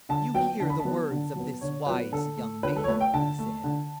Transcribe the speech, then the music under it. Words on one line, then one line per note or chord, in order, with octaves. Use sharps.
"You hear the words of this wise young maid," he said.
D3 A5
F#3 B3 G5
D3 A5
B5
A5
F#3 B3
D3
F#3 B3
D3 C#5
F#3 B3 B4
D3 A4
A3
D3 B4
A4
C#5
A3 B4
G5
D3 A5
A3
D3